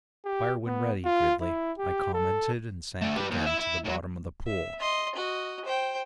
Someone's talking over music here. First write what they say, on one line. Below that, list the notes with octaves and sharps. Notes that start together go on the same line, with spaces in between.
"Fire when ready, Gridley," I commented, and sank again to the bottom of the pool.
G4
B3
F4
E4
G4
A4
A3 D4
G4 B4
D#2
E4 E5
E4
A2 F#3
E5
D#5 C6
F#4 D#5
C5 G5